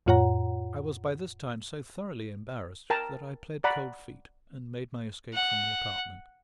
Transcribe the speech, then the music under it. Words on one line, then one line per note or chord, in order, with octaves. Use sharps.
I was by this time so thoroughly embarrassed that I pled cold feet, and made my escape from the apartment.
F2 A2 F4 C#5 F#5 A#5
A#4 G5 A5 A#5
D5 F#5 A#5 B5
F#5